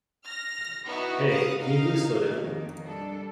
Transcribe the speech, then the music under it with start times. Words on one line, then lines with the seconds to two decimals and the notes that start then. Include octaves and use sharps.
Hey, can you please slow down?
0.24 F6 A#6
0.85 B3 D#4 E4 F#4
1.29 F5 F#5 D#6
1.59 D#4 F5
2.34 F2 D#3 A#3
2.82 G3 D4 A4